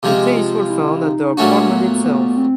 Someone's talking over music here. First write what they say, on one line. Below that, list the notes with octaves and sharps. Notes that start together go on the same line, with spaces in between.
The tapes were found at the apartment itself.
C3 F3 G#3 G4
F#4
F4
E4
D#4
A#2 F#3 A3 C#4 D4 F#4
B3
B3
C4